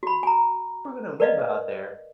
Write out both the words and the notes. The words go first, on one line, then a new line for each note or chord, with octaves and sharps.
we’re gonna move out there.
F#4 B5
G#5 A#5
A#4 B4 D5 D#5 F5